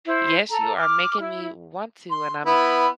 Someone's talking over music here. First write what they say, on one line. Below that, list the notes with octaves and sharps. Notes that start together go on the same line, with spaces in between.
Yes, you are making me want to, and I'm
E4 C5
A4 A#5
D6 F6
E4
C6
B3 E4